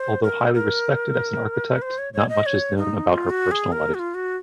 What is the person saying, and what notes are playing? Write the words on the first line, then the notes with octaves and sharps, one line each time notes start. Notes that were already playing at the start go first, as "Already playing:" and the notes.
Although highly respected as an architect, not much is known about her personal life.
Already playing: C5
A#4
A#4
C5
C#5
C#5
D#5
C#5
D#4
F#4
F4
F#4
G#4
A#4
F#4
F4
F#4